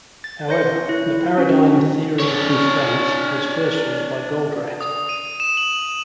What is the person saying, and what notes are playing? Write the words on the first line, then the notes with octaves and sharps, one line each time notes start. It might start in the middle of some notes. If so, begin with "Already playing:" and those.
However, the paradigm "Theory of constraints" was first used by Goldratt.
A6
C#5 C6 G6 A#6 C#7
E4
C#4 F#4
D4 C#5
D#6
D#7
E7
F#7